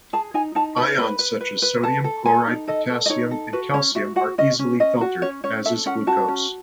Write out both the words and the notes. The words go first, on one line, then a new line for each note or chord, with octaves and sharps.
Ions such as sodium, chloride, potassium, and calcium are easily filtered, as is glucose.
G#4 A5
D#4 G#5
D#4 A5
B4 B5
B4 B5
B4
B4
B4
A4 A5
A4
A4 G#5
D#4
A4 D#5
A4
D#5
D#4 C#5
A4
F#4 B4
C#4 C#5
F#4 E5
F#4 F#5
C#4 D#5
C#4
C#4 D#5
F#4
C#4 C#5
C#4 C#5
A4 E5
C#4 F#5
F#4 A5
C#4